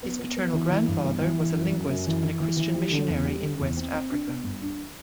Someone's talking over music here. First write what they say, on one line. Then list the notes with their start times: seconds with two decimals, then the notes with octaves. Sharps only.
His paternal grandfather was a linguist and a Christian missionary in West Africa.
0.03 B3
0.19 B3
0.36 B3
0.53 E3
0.70 E3
0.87 G2
1.04 B3
1.21 E3
1.39 E3
1.55 F#2
1.72 F#2
1.89 F#2
2.07 E3
2.23 E3
2.40 E3
2.57 E3
2.74 G3
2.91 D3
3.09 E2
3.25 G3
3.43 D3
3.59 E2
3.77 C4
3.93 C4
4.10 D4
4.27 B3
4.44 G2
4.61 D4